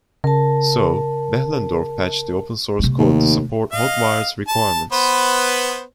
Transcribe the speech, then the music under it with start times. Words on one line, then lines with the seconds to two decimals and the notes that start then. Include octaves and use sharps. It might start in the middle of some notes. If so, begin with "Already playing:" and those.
So, Behlendorf patched the open-source code to support HotWired's requirements.
0.24 C#3 A#4 A5
2.79 C3 A3
2.98 D#2
3.72 D#5 F5
4.48 A5
4.92 B3 B4 C5